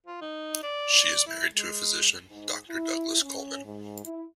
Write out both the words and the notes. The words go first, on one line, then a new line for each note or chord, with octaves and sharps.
She is married to a physician, Doctor Douglas Coleman.
F4
D#4
D5
E4
G#3
G#2
E4
C#4
G#2
E4